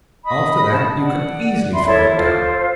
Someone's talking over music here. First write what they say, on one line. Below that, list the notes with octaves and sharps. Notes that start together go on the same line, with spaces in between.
After that you can easily throw it down.'
D#5 B5 D#6
A5
D5 F#5
D5 E5 B5 C6
E4 A4 C#5 E5
F4 A4 C5